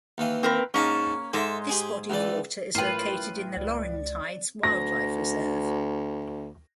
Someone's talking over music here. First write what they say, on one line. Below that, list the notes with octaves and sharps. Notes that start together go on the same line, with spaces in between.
This body of water is located in the Laurentides Wildlife Reserve.
D#2 E3 F5
C4 A#4 B4
G#2 A#3 C#4 D#4 A5
G#2 G#3 A4 E5
G4 G#4
C#2 E3 D5
A1 F4 A#4 B4 G5
C#2 D5
D2 A#6